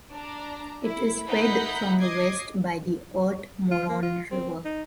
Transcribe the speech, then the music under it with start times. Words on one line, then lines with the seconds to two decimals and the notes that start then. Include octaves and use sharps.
It is fed from the west by the Urt Moron River.
0.12 D4 A#5
0.83 E4
1.28 D#4 E4 F#5 B5 G6 B6
2.00 D#5 D6 G#6 C7
3.71 F4
3.89 A#3
4.03 F4
4.32 C4
4.65 D#4